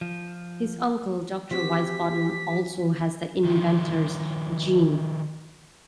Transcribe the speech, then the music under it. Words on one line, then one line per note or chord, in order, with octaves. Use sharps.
His uncle, Doctor Wisebottom, also has the Inventor's Gene.
F3
F3 C4 F#4 G4 B6
D#3 F3